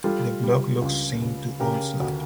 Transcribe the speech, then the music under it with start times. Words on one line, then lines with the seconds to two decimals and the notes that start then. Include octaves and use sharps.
The block looks same to Old Slab.
0.04 G3 F4 A4
0.43 G3
0.82 C#2
1.21 C#2
1.60 C#3 G4 A#4
2.00 D2